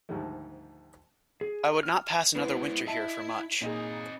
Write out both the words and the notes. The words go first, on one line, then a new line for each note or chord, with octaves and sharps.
I would not pass another winter here for much.
D2 G#2 D#3 F3 G3 A3
G#4
F6
G#3 B3 E4 C5
E4 D#5 E5 A5
A#2 C4 D#4 G#4 D#5